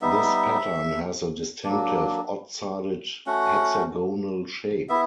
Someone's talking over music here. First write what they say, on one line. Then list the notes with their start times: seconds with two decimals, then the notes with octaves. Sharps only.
This pattern has a distinctive odd-sided hexagonal shape.
0.02 G3 B3 D#4 E5
1.64 F#3 A#3 D4
3.26 A3 C#4 F#4 F#5
4.89 B3 E4 E5